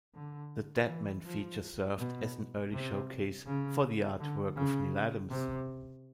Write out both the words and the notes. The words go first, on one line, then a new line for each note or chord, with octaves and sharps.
The "Deadman" feature served as an early showcase for the artwork of Neal Adams.
D3
E3
F3
B2
C3
C#3
D3
C#3
C3